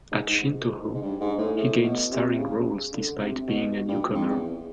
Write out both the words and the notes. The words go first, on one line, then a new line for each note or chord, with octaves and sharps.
At Shintoho he gained starring roles despite being a newcomer.
G#2
G#2
G#2
G2
G#2
A2
A2
B2
C3
C#3
D3
C3
B2
G2
F2
E2